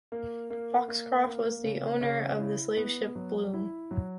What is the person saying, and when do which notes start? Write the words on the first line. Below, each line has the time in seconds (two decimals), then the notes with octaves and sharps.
Foxcroft was the owner of the slave ship "Bloom".
0.12 A#3
0.50 A#3
0.88 A#3
1.26 A#3
1.64 C#3
2.01 C#3
2.39 E4
2.77 B3
3.15 F#3
3.54 E4
3.91 F#3